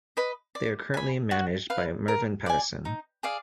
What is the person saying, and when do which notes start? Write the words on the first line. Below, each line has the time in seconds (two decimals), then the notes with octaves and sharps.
They are currently managed by Mervyn Pattison.
0.17 B4 D#5
0.55 D5
0.94 G#5 B5
1.31 F#4
1.70 B4 F5
2.08 A#4
2.46 D5 G#5
2.85 D#4
3.23 G#4 D5 F5